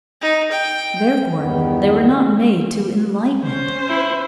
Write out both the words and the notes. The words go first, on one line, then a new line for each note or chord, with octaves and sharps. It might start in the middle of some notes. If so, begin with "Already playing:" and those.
Therefore they were not made "to enlighten it."
D#4
G5
E2 G2 D#3 B3
C#4 C5
E4